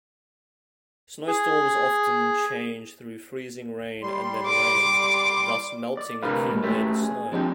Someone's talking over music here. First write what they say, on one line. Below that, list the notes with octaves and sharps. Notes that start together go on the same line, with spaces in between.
Snowstorms often change through freezing rain and then rain, thus melting accumulated snow.
G#4
G3 C6
D6
D5
D2 C3 D4 A#4 B4 F5
A#2 G3 G#3
A3 C#4 F#4 G4 B4 E5
G#4
F3 C4 D4 G4